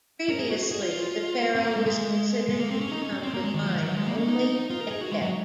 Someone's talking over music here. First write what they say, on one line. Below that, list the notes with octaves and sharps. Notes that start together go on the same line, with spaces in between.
Previously the pharaoh was considered to become divine only at death.
A#4
G#4
F#4
G#4
F4
C4
A#3
G#3
G#3
G#3
A#3
C4
C#4
D#4
C#4
C#4
C4
A#3
G#3
D#3
F3
D#3
F#3
G#3
A#3
C#4
D#4
F4
A#4
G#4
F#4
G#3
F#3